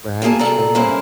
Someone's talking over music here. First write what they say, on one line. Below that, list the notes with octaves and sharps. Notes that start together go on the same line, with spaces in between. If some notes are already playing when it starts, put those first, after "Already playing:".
Right, true.
D2 G2 A#3 G#4 A5
C3 A4 D5 A#5
G2 A#2 A#3 C#4 E4 C5